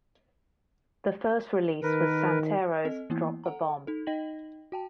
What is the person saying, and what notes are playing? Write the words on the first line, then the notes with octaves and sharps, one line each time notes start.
The first release was Santero's "Drop the Bomb".
D#3 A#4 B4
C4 A4 D#5
E3 A#3 B3 E4
A4 F#5 A#5
D#4 A4
D#4 D#5 G5 A#6 F#7
F#4 G5 A5